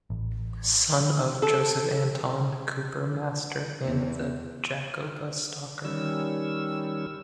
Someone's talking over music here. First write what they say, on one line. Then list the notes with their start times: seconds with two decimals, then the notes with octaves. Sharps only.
Son of Joseph Anton, cooper master, and the Jakobea Stocker.
0.10 A1
1.42 A4
3.86 E2
5.85 D#3 G3 C#4 E6